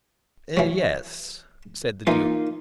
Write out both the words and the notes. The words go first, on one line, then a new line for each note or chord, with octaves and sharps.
"Yes," said the Duke.
E3 F#3
E3 A#3 D#4 F4